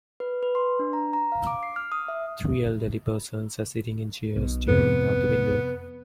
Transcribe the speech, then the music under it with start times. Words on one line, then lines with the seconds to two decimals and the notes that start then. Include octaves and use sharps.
Three elderly persons are sitting in chairs staring out the window.
0.20 B4
0.43 B4
0.55 C6
0.79 D4
0.93 A#5
1.13 A#5
1.32 F5
1.47 D6
1.63 C7
1.76 F6
1.92 D#6
2.08 E5
4.36 B1 B2
4.68 F2 C3 B3